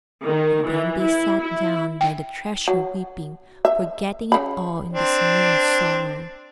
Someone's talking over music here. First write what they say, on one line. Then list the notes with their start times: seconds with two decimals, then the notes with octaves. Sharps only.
And then they sat down by the treasure weeping, forgetting it all in this new sorrow.
0.24 D#3
0.66 E3
1.03 E4
1.42 E4
2.01 G5
2.68 F#3
3.65 E5
4.32 C#3 B5
4.93 C4 D4